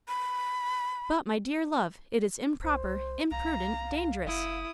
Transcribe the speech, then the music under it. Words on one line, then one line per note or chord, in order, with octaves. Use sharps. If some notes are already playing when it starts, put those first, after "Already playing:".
"But, my dear love, it is improper, imprudent, dangerous."
B5
C2 C5
C2 F5 A#5
F#1 E4 D#6